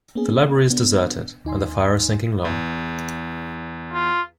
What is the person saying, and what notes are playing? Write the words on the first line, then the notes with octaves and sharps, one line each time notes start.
The library is deserted, and the fire is sinking low.
A#3 B3 C#4 G#4
B3 D4
D#2 D#4 G#5 C6
E2
F4